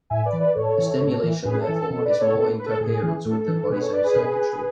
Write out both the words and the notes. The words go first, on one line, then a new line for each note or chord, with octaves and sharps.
The stimulation therefore is more in coherence with the body's own circuitry.
A2 E5 G#5
B4 D5
E3
B4 D5
A2 A4 C#5
E3
A2
E3
A2 G#4 B4
A4
E3
A4
B2 A4
B4 D5
A4 C#5
B2 A4
B4
A4
A2 G#4
E3
A2 A4
A4
E3
A4
B2 G#4 B4
A4 C#5
B4 D5
G#4 B4
B2